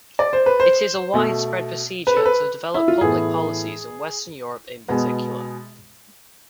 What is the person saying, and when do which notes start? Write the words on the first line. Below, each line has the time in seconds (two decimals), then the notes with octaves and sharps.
It is a widespread procedure to develop public policies in Western Europe in particular.
0.19 D5
0.33 C5
0.46 B4
0.60 C5
1.14 B2 A3
2.07 B4
2.17 A4
2.26 B4
2.74 E4
2.88 F4
3.01 A2 E3 B3 G#4
4.88 B2 G#3 B3